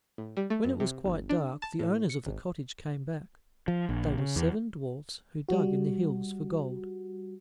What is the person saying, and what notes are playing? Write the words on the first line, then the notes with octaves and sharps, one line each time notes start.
When it was quite dark the owners of the cottage came back; they were seven dwarfs who dug in the hills for gold.
A2
G3
A3
F#2
C3
G1
D4
A5
A2
C#7
G#1
F3
A#1
C#3
E2
G3 F#4